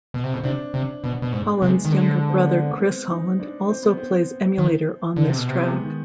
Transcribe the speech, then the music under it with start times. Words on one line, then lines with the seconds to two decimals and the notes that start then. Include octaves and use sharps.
Holland's younger brother Chris Holland also plays emulator on this track.
0.14 B2
0.24 C3
0.33 B2 C4
0.44 C3 D4
0.74 C3
1.03 B2 B3
1.22 B2
1.33 G#2
1.48 G#3
1.58 C3 B3
1.70 G#3
1.85 D#3
1.91 D3 G#3
2.29 C4
2.36 B3
2.80 C4
3.10 D#4
3.40 D4
3.69 C4
3.83 B3
3.97 C4
4.58 D#3
5.16 D3
5.27 C3
5.37 B2
5.47 C3 B3
5.60 B3
5.69 G#3
5.83 D#3